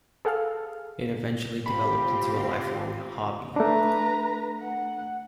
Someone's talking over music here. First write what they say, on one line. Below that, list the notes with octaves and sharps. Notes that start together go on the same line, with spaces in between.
It eventually developed into a lifelong hobby.
G#4 A4 F5 F6
C4 F4 G4 B5
A3 D4 B4 A#5
F#5